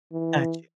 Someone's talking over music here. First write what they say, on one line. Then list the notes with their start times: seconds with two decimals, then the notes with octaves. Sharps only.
Got you.
0.12 E3